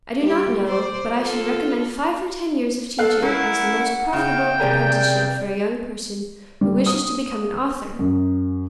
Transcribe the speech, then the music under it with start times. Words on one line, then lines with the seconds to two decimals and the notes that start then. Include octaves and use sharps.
I do not know but I should recommend five or ten years of teaching as the most profitable apprenticeship for a young person who wished to become an author.
0.20 G3 G4
0.68 C5 D5
1.17 F4 A4
2.99 A4 F5 F#6 C7
3.22 C#4 E4 A#4 F#5
4.13 C#3 E4 G5
4.60 C3 G#4 A#4 D5
6.61 G3
6.86 D#6
7.99 F#2